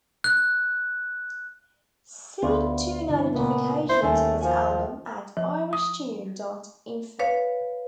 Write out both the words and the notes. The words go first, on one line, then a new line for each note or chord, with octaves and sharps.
See tune identifications for this album at irishtune dot info.
F#6
D2 B3 F4
G2 D3 E3
C#2 A#2 A#3 B3
E4 C5
D#2 A3 C#4 G#5
F3 F#4 F#5 G#5
F3
D#6
B4 C#5 F5